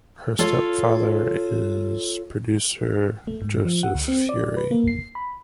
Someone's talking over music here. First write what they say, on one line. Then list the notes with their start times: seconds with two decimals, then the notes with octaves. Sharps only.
Her stepfather is producer Joseph Feury.
0.39 F4 A4 C#5 F5
3.27 A3
3.42 G#2
3.65 F3
3.83 F#5
3.94 D2
4.08 C4
4.29 D5
4.57 B4
4.71 A#3
4.88 C7
5.15 B5